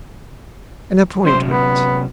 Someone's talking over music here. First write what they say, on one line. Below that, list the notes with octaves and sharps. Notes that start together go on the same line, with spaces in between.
"An appointment."
C3 F#3 C#4 C5
B3